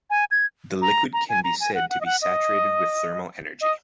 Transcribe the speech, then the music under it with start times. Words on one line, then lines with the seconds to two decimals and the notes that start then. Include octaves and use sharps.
The liquid can be said to be saturated with thermal energy.
0.10 G#5
0.31 G#6
0.82 A#5
1.13 A#5
1.29 G#5
1.44 A#5
1.60 G#5
1.75 F#5
1.90 F#5
2.01 D#5
2.06 F#5
2.22 D#5
3.61 D#5